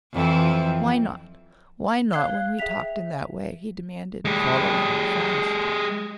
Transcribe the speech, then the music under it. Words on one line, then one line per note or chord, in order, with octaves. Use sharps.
"Why not--why not, when we talked in that way?" he demanded, following her fast.
F2 E3 F3
C#5 F5 F#6 G#6 C7 G7
G#4 E5 G5 B6 F7
G#3 G4